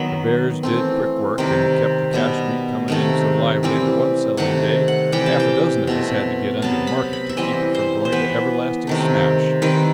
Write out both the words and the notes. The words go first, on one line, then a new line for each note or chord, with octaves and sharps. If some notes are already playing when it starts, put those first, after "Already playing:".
The bears did quick work and kept the cash wheat coming in so lively that one settling day half a dozen of us had to get under the market to keep it from going to everlasting smash.
Already playing: D#3 F#3 B3 B5
E3 A3 C4
C3 D#3 G3
B2 G3 B3
C3 D#3 A3
E3 G3 C4
C3 D#3 A3 F#5
F#5
C3 E3 G3 G5
A5
G5
B2 A3 C4
C3 F#3 B3 A5
B5
B5
E5
E3 G3 C4 D#5
C5
C5
E3 B3 B4
C3 D#3 A3
D#3 G3 C4 B4